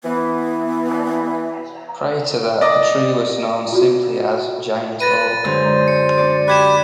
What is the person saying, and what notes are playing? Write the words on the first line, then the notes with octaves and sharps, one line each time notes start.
Prior to that, the tree was known simply as Giant Oak.
E3 B3
D5 D#5
F4 F#4
B4 A6 A#6 D#7
F#2 D3 G#3 C5
C#7
D4 D5
G4 B5 F#6 G#6 E7